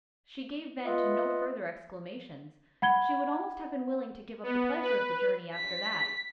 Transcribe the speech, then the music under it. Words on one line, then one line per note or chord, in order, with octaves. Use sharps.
She gave vent to no further exclamations. She would almost have been willing to give up the pleasure of the journey after that.
B3 F4 D#5 E5 F#5
F#5 B5 G#6 G7
B3
B4
B6